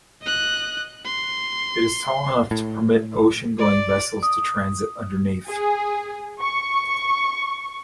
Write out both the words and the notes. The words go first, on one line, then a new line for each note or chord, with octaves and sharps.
It is tall enough to permit ocean going vessels to transit underneath.
D#5 F#6
C6
A2
D5
D#6
G#4
C#6